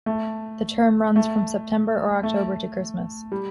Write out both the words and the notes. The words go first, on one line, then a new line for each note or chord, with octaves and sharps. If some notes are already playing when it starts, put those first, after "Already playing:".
The term runs from September or October to Christmas.
A3
A3
A3
G3